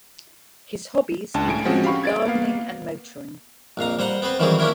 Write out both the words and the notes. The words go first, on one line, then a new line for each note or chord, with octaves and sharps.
His hobbies included gardening and motoring.
C#2 D4 A5
A2 G#5 D7
F3 G#3 C4 C#4 F#4
G4 F5 B5 C#6
G#6 A6 D7
A#3 B3 F5
A#1 F2 F5 A#5
G3 C5 F#5 A#5
B3 C4 B4 C5
D#3 E3 F#3 G3 C4 G#4
A#3 C#4 D4 E4 A#4